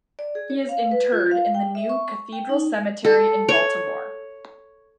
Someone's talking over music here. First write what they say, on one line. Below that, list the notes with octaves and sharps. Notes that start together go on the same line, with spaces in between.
He is interred in the New Cathedral Cemetery in Baltimore.
D5
G#4
C#5
F5
B4
F4
F5
G5
E5
C#6
G5
D#4
A4
C#5